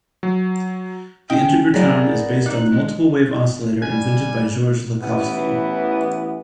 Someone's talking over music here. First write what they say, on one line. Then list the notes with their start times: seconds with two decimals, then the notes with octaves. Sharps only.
The Integratron is based on the Multiple Wave Oscillator invented by Georges Lakhovsky.
0.23 F#3
1.30 C#4 D#5 G5
1.74 A2 F#3 B3 G#4 A#4 D5
2.46 D#4 D5 F#6
2.70 G#3
3.82 G3 G#5
5.02 A1 E3 B3